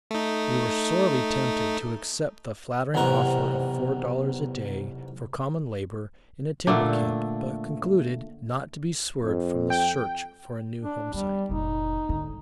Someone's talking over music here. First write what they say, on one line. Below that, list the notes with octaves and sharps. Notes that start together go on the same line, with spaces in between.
We were sorely tempted to accept the flattering offer of four dollars a day for common labor in a timber camp, but concluded not to be swerved from the search for a new homesite.
A3 D#4
B1 E2 G#2 C3 A#4 F#5
A#2 D3 A3 D4
F2
G5
D4
G3 B3
F1 A#2 D#4
G#2 D3